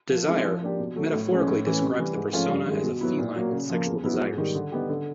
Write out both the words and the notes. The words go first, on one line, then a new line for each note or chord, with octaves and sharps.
"Desire" metaphorically describes the persona as a feline with sexual desires.
F3
G#3 C4 E4
F3
A#3 D4 G4
B2
F#3 A3
A2
F3 G#3 C#4
A2
E3 A3 C#4
C3
E3 G3
G#2
F3 A3 C#4 F4
G2
D#3 G#3
B2
F#3 B3 E4
A#2
F#3 A#3
C#3
F3 A#3
E2
B2 F#3 B3 E4
G#2
D#3 G3
D3
G3 B3 D#4 G4
D3